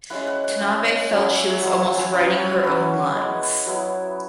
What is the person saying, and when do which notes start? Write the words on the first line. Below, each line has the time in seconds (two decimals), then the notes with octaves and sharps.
Tanabe felt she was almost "writing her own lines".
0.10 G#3 C#4 E4 F#5
0.27 F#5
0.44 F#5
0.60 G#3 C#4 E4 F#5
1.11 F#3 C#4 E4 G#5
1.24 F#5
1.37 E5
1.50 G#4
1.62 F#3 E4 C#5
2.13 F#3 C#4 E4 F#5
2.25 F#5
2.39 C#5
2.51 F#4
2.64 F#3 C#4 E4 B4
3.15 G#3 B3 E4
3.66 F#3 B3 E4